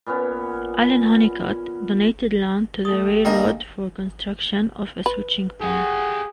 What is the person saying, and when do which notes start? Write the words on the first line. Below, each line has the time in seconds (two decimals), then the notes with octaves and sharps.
Allen Honeycutt donated land to the railroad for construction of a switching point.
0.06 A#2 B3 C#4 C#5
2.85 A3 G4 D#6
3.25 A#1 A#2 D4 A#4 D#5 F5 G5
5.06 B4
5.61 G4 G#4 F#5